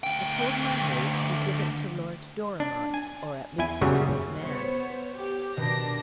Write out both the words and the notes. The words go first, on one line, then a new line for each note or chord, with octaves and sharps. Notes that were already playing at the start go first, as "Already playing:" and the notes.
I told my maid to give it to Lord Dorimont--or at least to his man.'
D2 G5
D4
G#5
E2 E4 G#5
F#2 A#2 C#3 F#3 G3 C#4
B3 C5 C#5
G4
B2 D#3 D4 A#6